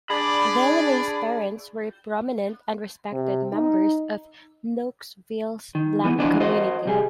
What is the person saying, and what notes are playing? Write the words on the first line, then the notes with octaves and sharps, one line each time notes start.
Delaney's parents were prominent and respected members of Knoxville's black community.
D4 G#4 D5 B5
C3
D#4
D#3
E3 B3
E3 F3 D4 C5 D5 D#5
F#4 C5 D#5
C2 G3 G#4